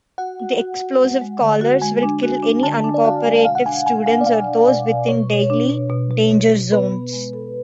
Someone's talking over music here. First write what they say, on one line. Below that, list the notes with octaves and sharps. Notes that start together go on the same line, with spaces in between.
The explosive collars will kill any uncooperative students or those within daily "danger zones".
F#4 F#5
F#4
F#4
F#4
G#3
G#3
D3
F#4
G#3 G#5
D4
F#4
D4
D3 A5
D4
D5
F#4 F5
G#3 G#5
B2 F5
F#5
D4 G#5
B2 G#5
D4 F5
D5
B2 F5
D4
B2 D5
B2
B2 C#5
B2
D4
B2
B2
B2
B2
B2
B3 B4
B3
G#3
A4